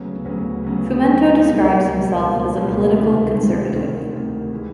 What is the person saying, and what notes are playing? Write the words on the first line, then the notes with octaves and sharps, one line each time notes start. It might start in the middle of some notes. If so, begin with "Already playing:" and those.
Fumento describes himself as a political conservative.
Already playing: D2 C#3 F#3 B3
D2 C#3 F#3 B3
D2 C#3 F#3 B3
D2 C#3 F#3 B3
C#2 B2 G3 A#3
C#2 B2 G3 A#3
C#2 B2 G3 A#3
C#2 B2 G3 A#3
D2 C3 D#3
D2 C3 D#3
D2 C3 D#3
D2 C3 D#3
E3 G#3